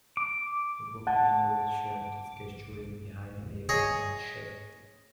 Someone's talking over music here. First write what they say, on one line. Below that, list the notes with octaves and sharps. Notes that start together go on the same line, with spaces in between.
A woman in a red shirt is gesturing behind a male in a white shirt.
D6
F#5 A5
G#4 C#5 D#5